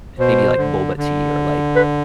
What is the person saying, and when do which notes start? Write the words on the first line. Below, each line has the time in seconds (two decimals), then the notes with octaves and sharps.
maybe, like, boba tea or, like,
0.18 B2 C5
0.57 D3
0.97 D3
1.76 B4